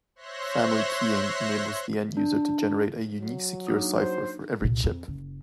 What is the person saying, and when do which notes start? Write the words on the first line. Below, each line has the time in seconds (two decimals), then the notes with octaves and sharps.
Family keying enables the end-user to generate a unique secure cipher for every chip.
0.16 C5 C#5 E5 C6 F#6 A#6
2.17 D4
3.21 F#3
3.67 A#3 D4 D#4
3.97 C5
4.62 C2 A#2
4.84 F2
5.08 F#1